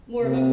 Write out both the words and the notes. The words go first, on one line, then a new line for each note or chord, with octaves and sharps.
more of a
C3